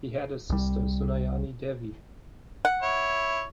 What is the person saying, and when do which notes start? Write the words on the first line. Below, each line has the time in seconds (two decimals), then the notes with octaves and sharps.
He had a sister, Sunayani Devi.
0.50 C2 G3
2.65 F#5
2.83 E4 C#5